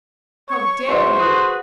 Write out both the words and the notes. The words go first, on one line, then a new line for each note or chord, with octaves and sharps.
How dare you?
C#5 C#6
G#2 E3 F#3 C5
F#4 G#4 B4